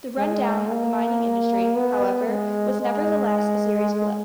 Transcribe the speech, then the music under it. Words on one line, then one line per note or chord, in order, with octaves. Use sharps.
The run-down of the mining industry, however, was nevertheless a serious blow.
G#3
A#3
B3
G#3
G#3